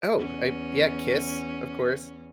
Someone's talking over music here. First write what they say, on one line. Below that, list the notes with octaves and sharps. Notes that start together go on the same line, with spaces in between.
Oh, I yeah, Kiss, of course.
E2 C#4